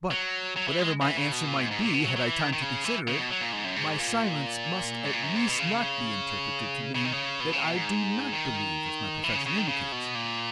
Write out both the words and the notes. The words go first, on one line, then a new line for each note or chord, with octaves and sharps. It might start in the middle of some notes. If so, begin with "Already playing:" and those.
But whatever my answer might be had I time to consider it, my silence must at least not be interpreted to mean that I do NOT believe as my profession indicates.
F#3
F#3
E3
G#3
E3
C#3
B2
A#2
G#2
G#2
A#2
B2
F#3
F#3
E3
D#3
D#3
C#3
E3
C#3
B2
F#3
A#2
G#2
F#2
G#2
A#2
G#2
A#2
F#2
G#2
B2
C#3
C#3
D#3
C#3
B2
C#3
B2
G#2
D#3
E3
C#3
C#3
D#3
C#3
B2
A#2